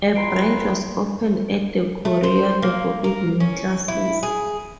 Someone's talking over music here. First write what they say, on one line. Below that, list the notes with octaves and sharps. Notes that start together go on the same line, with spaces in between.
A branch was opened at The Corridor for evening classes.
E2 F4 B4 G5 A#5 C6 C7 D7
A3
C5
A#3
A#4
C#4
E4
G#4